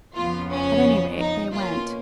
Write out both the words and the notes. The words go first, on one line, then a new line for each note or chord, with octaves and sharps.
At any rate, they went.
F2 C#3 F3 B3 F4
C#4
D#4
B2 A#3 C#4 F4